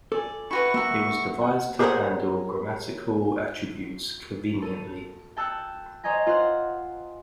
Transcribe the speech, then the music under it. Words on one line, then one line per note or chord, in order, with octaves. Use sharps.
It was devised to handle grammatical attributes conveniently.
A4 D5 G#5
E4 F#4 B4 B5 C#6
A#3 F#4 E5
F#5
G4 G#4 A#4 C5 C#5 F#5
A4 D#7
G5 A5 E6 F#6 C#7
C5 C#5 D#5 G#5 A#5
F4 C5 F#5 C6